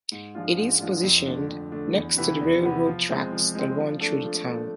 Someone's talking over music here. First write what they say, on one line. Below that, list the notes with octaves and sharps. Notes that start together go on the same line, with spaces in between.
It is positioned next to the railroad tracks that run through the town.
G#2
F3 G#3 D4 F4
G#2
F3 G#3 D4 F4
F2
D3 A3 D4
F2
D3 A3 D4
E2
C3 E3 B3 E4
E2
C3 E3 B3 E4
F3
G#3 C4
F3
G#3 C4
F3
A3 D4 A4
F3
A3 D4 A4